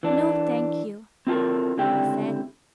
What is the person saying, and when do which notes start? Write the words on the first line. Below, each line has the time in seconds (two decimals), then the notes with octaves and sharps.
"No, thank you," I said.
0.03 E3 D4
1.27 C4 E4 F4 G4 A4 A#4
1.77 C#2 D3 C4 E4 G4 G5